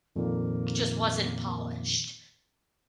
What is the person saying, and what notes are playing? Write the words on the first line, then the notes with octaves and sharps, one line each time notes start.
just wasn't polished
F2 A#2 D#3 A#3